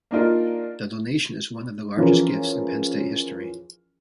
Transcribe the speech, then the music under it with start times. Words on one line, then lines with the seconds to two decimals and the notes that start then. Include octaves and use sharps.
The donation is one of the largest gifts in Penn State history.
0.11 A#3 D4 D#4 F4 A#4
1.97 E3 F3 C#4 F4 G#4 A#4